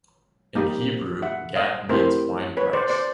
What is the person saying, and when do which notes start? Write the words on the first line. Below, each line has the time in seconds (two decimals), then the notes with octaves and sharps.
In Hebrew, "gat" means "winepress".
0.55 A#3 D#4 G4
1.22 E5 F#5
1.56 D#5 F5
1.89 A3 C4 E4 G4 A#4 C5
2.57 B4 C#5
2.73 C5 D5
2.90 C5 D5